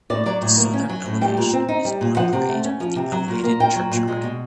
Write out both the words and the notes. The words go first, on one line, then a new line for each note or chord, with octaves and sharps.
The southern elevation is on grade with the elevated churchyard.
A2 D5
F#3 D5
A2
A#3
C#4
F#3
A2
G3 G5
A#2
C4
D#4
G3
A#2
F3 F#5
C3
A3
C#4
F3
C3
F#3
A#2
A#3
A#2 G5
F#3
A#2
G#3
B2